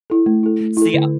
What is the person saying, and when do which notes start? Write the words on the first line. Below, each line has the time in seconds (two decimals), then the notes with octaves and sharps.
See, uh
0.10 E4 A4
0.26 A3
0.43 E4 A4
0.61 A3
0.77 E4 A4
0.94 D3